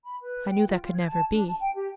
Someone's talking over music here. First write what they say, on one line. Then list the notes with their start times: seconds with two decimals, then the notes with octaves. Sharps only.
I knew that could never be.
0.03 B5
0.21 B4
0.49 G5
0.67 F4
0.82 F4
0.95 G#6
1.07 A5
1.31 D4
1.46 A5
1.60 G5
1.74 G4